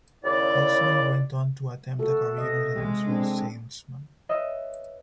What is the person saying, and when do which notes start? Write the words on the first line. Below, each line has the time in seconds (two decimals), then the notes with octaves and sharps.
Holtzman went on to attempt a career as an insurance salesman.
0.24 D#2 C#3 E4 D5
1.99 A3 F#4 A4
2.38 C3 D#5
2.76 G#3
3.07 C4 D4
4.29 B4 C#5 D#5 E5